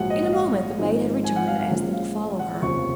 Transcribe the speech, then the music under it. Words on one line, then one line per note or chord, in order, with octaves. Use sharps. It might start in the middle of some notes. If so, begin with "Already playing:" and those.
In a moment the maid had returned and asked them to follow her.
Already playing: A#1 G#2 F#3 F#5
D#5
F5
G#1 G#2 F3 G#3 D#4
G#5
F#5
F5
F5
A#1 A#2 G#3 C#4
F5
F#5
F1 D#2 C#3 F3 C#6